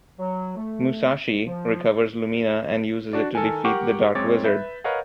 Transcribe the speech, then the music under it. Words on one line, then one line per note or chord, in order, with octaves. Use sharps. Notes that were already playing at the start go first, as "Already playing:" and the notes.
Musashi recovers Lumina and uses it to defeat The Dark Wizard.
F#3
A3
F3
D4 F#4 D5
D#3 A4 A#4 G#5
G4 A#4 F#5 G5 C#6 D6
F#2 G#3 C4 C#5 D6 A6
B4 E5 G6
A#4 B4 C#5 D#5 F5 F#5